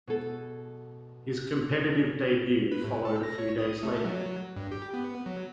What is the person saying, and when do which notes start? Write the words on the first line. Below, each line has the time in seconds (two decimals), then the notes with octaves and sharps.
His competitive debut followed a few days later.
0.07 B2 G#4 A4
2.72 B4
2.84 A2
3.05 A4
3.23 A#6
3.38 C#5
3.58 D#6
3.83 A3
4.05 F#3
4.56 G2
4.71 G4
4.94 B3
5.26 F#3